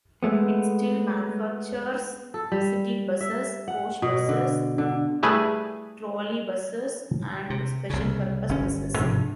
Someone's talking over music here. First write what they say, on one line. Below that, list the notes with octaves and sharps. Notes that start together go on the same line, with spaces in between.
It still manufactures city buses, coach buses, trolley buses, and special purpose buses.
G#3 A3 B3
A4
G3
E5
F#5
B2
D3
D3
G3 A3 E4 G#4 B4
C3
C2 C#3
G1 C#4
G#2 C3 F3 D4